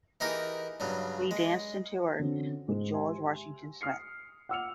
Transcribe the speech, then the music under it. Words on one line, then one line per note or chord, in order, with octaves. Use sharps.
Lee danced and toured with George Washington Smith.
E3 D#4 G4 G#4 A#4
G2 C#3 F#3
G#3
D3 C4 C#4 F#4
G#2 G#3
G4 E5 G#5 C6
D#6 F6 C7 C#7
F#5 D6 E6 F6 C#7 F7